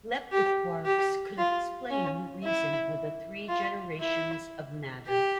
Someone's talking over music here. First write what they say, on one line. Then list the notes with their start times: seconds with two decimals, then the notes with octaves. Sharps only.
Leptoquarks could explain the reason for the three generations of matter.
0.32 G4
0.85 G4
1.38 F4
1.90 C#4
2.44 E4
3.49 F4
4.01 E4
5.07 G4